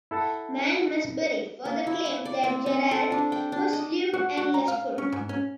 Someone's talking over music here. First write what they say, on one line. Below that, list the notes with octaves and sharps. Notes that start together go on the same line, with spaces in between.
Malmesbury further claimed that Gerard was "lewd and lustful".
E4 A4 F#5 A5
A#3
E4
G#5
D5
C4
C4
A4
D4
G5
D4
D#5
F#4
F#4
A#5
F5
C#4
G#2
C#4